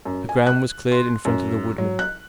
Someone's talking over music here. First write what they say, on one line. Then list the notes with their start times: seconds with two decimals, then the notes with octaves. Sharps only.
The ground was cleared in front of the woodmen.
0.05 F#2
0.29 G#5
0.47 F#6
0.92 C6
1.25 F#2
1.78 F#3
1.99 F#6